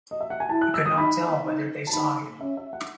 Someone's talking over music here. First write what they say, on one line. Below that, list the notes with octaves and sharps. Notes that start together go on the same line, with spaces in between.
He could not tell whether they saw him.
D#5
E5
F#5
G#5
E4 A5
F#6
E6
D#6
D#4 B5
D#4
A5
D#4 B5
C#4 E5
E5
F#5